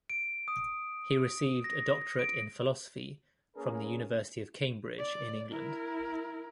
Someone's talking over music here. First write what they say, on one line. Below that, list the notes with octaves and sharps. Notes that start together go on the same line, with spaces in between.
He received a doctorate in philosophy from the University of Cambridge in England.
D7
D#6
A#6
D7
A#3 C#4 G#4 A#4 B4
D5
E4 A#4